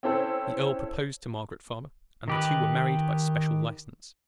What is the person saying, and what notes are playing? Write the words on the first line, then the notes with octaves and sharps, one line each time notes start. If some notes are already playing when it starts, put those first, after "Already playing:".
The earl proposed to Margaret Farmer, and the two were married by special license.
C4 C#4 E4 A4 C5
D#3 G4 B4